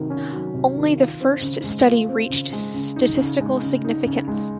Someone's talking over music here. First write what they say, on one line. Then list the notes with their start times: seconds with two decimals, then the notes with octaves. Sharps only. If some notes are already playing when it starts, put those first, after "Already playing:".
Only the first study reached statistical significance.
Already playing: C3 D#3 F#3
0.10 C#4
0.32 F#3
0.54 C3
0.76 D#3
0.98 F4
1.21 C4
1.42 C#3
1.64 G#3
1.86 F4
2.08 C4
2.30 C#3
2.52 G#3
2.74 C#3
2.96 D#4
3.18 C#3
3.40 G#3
3.63 C#3
3.85 D#4
4.06 C#3
4.28 G#3